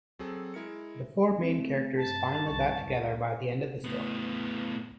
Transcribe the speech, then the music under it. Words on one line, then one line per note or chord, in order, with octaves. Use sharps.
The four main characters finally got together by the end of the story.
F#3 C4 G#4 A4
G#3 E4 A#4 C#7
A3 C4
G2 A5
C2 E3 C#6
C#2 G#2
A2 B3